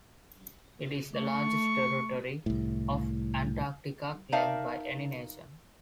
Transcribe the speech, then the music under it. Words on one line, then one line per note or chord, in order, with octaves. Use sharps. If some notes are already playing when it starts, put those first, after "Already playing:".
It is the largest territory of Antarctica claimed by any nation.
A3 C#6
C2 A2
D#4 A#4 D5 E5 F5 A5